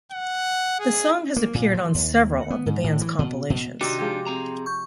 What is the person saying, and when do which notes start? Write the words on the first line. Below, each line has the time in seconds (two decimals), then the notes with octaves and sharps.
The song has appeared on several of the band's compilations.
0.12 F#5
0.79 G#4
1.36 A#3
1.55 A#2
1.74 F3
1.94 D#2
2.50 B3
2.66 G#2
2.84 A2
3.01 E3
3.19 B2
3.50 B2
3.81 C3 D#3 D4 D#4 F#4 E5 G5 D6
3.99 F3 G#3 G4
4.26 C4 G#4 A#5
4.66 C#6 G6